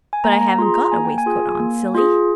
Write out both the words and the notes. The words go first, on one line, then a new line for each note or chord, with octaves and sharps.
"But I haven't got a waistcoat on, silly."
G#5
A#3 A#5
A#5
F4 G#4 C6
A#5
A#3 G#5
G5
G#5
F4 G#4
A#3
F4 G#4